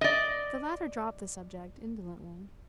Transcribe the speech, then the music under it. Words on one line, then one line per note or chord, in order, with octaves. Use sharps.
The latter dropped the subject indolently.
D5 D#5